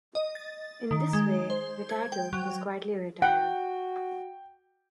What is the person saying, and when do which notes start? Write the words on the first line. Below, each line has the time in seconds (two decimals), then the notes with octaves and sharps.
In this way, the title was quietly retired.
0.15 D#5
0.35 A6
0.91 D#3
1.13 G#3
1.50 C5
1.90 G#6
2.12 G5
2.33 F#3
3.22 F#4 F#5 G5